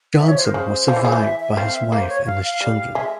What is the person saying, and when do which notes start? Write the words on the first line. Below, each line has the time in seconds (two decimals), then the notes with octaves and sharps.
Johnson was survived by his wife and his children.
0.20 F3 E5
0.28 C#5
0.37 C5
0.46 A#4
0.54 C#3 C5
0.88 F3
0.96 E3
1.05 C#3
1.12 E3
1.23 E5
1.40 E5
1.57 C4 F5
1.75 E5
1.92 A#3
2.00 C5
2.09 C#5
2.26 F5
2.43 F5
2.61 G3
2.95 G#3 E5